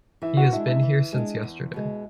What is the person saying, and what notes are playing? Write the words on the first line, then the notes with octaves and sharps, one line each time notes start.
He has been here since yesterday.
E3 E4 E5
F#4 F#5
G#3 D4 E4 E5
E4 E5
E3
G#3 D4
E2
B2 G#3